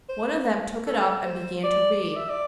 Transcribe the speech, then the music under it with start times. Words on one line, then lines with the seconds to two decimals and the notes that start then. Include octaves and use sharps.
One of them took it up and began to read.
0.09 C5
0.86 A4
1.25 C5
1.63 D5
2.02 D5
2.16 E5
2.29 D5